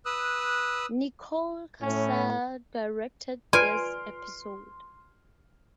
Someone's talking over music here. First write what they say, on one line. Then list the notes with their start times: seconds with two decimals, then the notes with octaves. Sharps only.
Nicole Kassell directed this episode.
0.06 B4 D#6 E6 F#6
1.81 A2 C#4
3.53 F4 B4 D5 G#5 C6 F6 D7